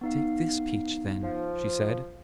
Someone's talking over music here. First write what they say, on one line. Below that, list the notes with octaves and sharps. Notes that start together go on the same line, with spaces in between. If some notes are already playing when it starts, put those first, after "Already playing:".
"Take this peach, then," she said.
B3 D#4 F5
F3